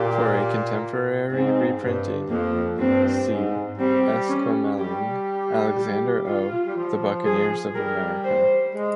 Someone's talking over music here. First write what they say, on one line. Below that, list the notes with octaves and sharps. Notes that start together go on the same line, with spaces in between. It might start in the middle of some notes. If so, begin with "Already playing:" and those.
For a contemporary reprinting, see Esquemeling, Alexander O., The Buccaneers of America.
Already playing: A#2 G4
G#2 C4
G2
F2 A#3
G2 C4
G#2
G3 C4
C#4
G3 G4
G4
F4
G3
F3
G#4
G3 A#4
C5
G#3